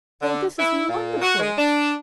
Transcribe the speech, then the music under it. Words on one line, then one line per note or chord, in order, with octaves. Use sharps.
Oh, this is wonderful!
D3
E4
A#2
F#4
G#3
D4